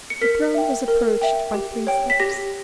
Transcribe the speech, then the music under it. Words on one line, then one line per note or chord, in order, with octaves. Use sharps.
The throne was approached by three steps.
C#7
A#4 B6
E5 G5
A#4
E5 G5
G4
C#5 G5
B6
G4 A#6